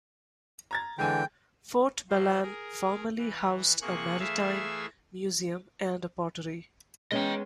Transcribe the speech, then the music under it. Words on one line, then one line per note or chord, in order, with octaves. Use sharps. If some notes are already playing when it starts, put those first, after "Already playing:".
Fort Belan formerly housed a maritime museum and a pottery.
A#5 G#6 A6
D3 E3 G#3 G5 G#5
F3 F#3 C5
G#4 A#4
E3
C3 A#3 G#4 C#6 F#6
E3 A3 G#4 E5 F5 E6
G#3 B3 C#4 D#5 G5